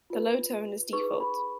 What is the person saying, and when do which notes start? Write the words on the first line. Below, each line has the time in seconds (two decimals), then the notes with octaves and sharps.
The low tone is default.
0.10 F4 B4
0.93 D#4 G#4 B4 C#6
1.21 B5